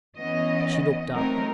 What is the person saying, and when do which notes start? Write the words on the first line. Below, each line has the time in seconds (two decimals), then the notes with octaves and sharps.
She looked up.
0.17 E3 B3 C#4 D#5
1.14 F#3 A3 C4 D#4 A#4